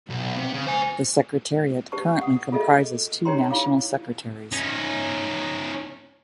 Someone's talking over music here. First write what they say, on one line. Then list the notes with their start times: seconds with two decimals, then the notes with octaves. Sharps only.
The secretariat currently comprises two national secretaries.
0.10 B1
0.37 C3
0.54 C#3
0.67 C5 G#5
1.92 G4 B4 A5 C#6
2.21 F#5 D#6
2.52 F4 G#4 A4 D#5 E5
3.25 D#4 G4 C#5 G5 A#5 C6
3.51 E4 F4 F5 D6
4.52 C#4 D#4